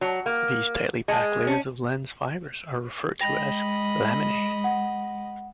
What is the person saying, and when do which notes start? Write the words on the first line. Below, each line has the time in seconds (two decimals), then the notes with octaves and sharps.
These tightly packed layers of lens fibers are referred to as laminae.
0.01 F#3
0.26 A#3
1.08 G#3
1.47 C#4
3.21 G#3 D#5 G5 B5 A#6 F7
4.64 F#5